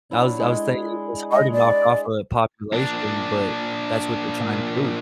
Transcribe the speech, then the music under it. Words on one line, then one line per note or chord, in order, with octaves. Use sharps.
I was I was saying, it's hard to knock off a population, but that's what they're trying to do.
F#3 D4 E4
G#3 E4
G#3 D#5
D5
A#2 D4